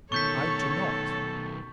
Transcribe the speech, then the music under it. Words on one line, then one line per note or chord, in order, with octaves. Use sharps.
I do not.
B2 D#3 A4 C#5 C#6 G6 B6